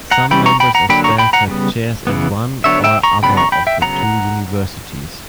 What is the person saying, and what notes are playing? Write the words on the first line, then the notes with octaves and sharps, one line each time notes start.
Some members of staff have chairs at one or other of the two universities.
F#5 A#5
E3 G3 C#4 G5 B5
A#5 C#6
G5 B5
F#5 A#5
D3 F#3 A#3 D4 G5 B5
A#5 C#6
G5 B5
F#5 A#5
C#3 G3 B3
C#3 E3 B3
D3 F#3 B3 D4 C#5 E5
E5 G5
A#5 C#6
C#3 F#3 B3 D4 G5 B5
A#5 C#6
G5 B5
E5 G5
C#3 F#3 B3 F#5 A#5